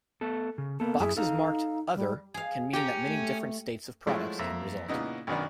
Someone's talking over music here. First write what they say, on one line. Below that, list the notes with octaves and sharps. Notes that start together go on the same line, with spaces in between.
Boxes marked "other" can mean that many different states of products can result.
A3 B3 A4
C#3
A#3 B3 A4
F#2 E4 G#4
D#4 A4 F5
G3
G#4 F5
C#4 G4 G5 A#5
A3
F3 F#3 G#3 A3 E4 F#4
F2 A#3 E5
A#2 C#3 B3 D#4 E4
B1 F#2 D#3 B3 D4